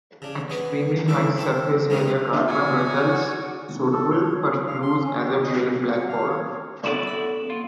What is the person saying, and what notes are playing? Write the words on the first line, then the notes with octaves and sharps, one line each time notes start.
Extremely-high-surface-area carbon results, suitable for use as a fuel in black powder.
C#3 D4
B3 G#4 B4
G#3 E4 A4 B4 D5
C4 A4 E5 A5
G#3 C4 C#4 D#4 G#4 B4
F#4 C#5 D5 G#5
A4
C#5
G#4
F5
C6
C#4
G4
D#5
A#3
F#5
F5
C#5
B3 E4 F#4 D5
A4 F#5
A#3 F4